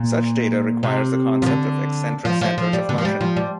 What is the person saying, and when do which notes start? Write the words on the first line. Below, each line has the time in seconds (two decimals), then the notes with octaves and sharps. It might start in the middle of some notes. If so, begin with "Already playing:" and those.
Such data requires the concept of eccentric centers of motion.
Already playing: A#2
0.83 C3
1.42 F3
1.46 D3
2.25 F3
2.41 F3
2.58 F3
2.73 G3
2.89 D3
2.98 F3
3.05 G3
3.21 F3
3.36 G3